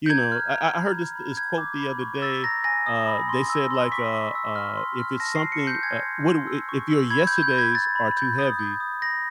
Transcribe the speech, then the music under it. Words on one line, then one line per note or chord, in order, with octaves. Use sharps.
you know I I heard this this quote the other day, uh, they said like, uh, uh, "If it's something, uh what do i if your yesterdays are too heavy,
G6
A#5 G#6
F6
A#5
B5
G6
B5
G6 G#6
D6
B5
C#6
E6 A6
A#5 A#6
G#5 A#6
D#6
B5
C6
E6
C6
C#6 B6
C#6
E6
F6
C6
F6
A5 A#6
C7
F#6
C#7
A5
G6
G#5 G#6
C6
C6
E6
C#6
E6
B5 G#6
B5 G6
G6
B5 G#6
G6 A6
B5
G6
D#6
G6
D#6
B5 A#6